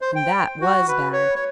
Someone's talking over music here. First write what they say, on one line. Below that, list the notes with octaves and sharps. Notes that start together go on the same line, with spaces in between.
And that was bad.
C5
G5
F#4
B4
C#5
C#5